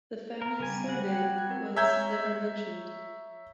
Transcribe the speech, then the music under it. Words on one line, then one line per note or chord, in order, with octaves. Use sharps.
The family's surname was never mentioned.
A#4
C#3 G3 G#5
G3 F#4 F#5
G5 G#6
F#6 G#6
C4 A#4
C#5 E5 A#5 E6 G6 G#6